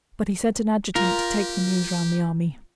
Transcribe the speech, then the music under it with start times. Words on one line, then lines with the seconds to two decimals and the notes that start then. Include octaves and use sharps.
But he sent an adjutant to take the news round the army.
0.95 F4 G4 A#4